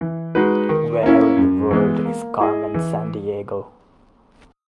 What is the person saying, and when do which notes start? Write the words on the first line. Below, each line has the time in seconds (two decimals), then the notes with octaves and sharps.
Where in the World Is Carmen Sandiego?
0.01 E3
0.35 G#3 D#4 F#4 B4
0.69 D#3
1.03 A#3 C#4 E4
1.37 F#2
1.71 E3 G#3 B3
2.05 A#3
2.40 E4 G#4 D#5
2.74 E3